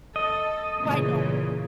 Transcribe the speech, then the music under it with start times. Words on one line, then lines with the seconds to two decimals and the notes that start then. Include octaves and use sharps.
Quite normal.
0.16 A4 D#5
0.80 A#2 C#3 E3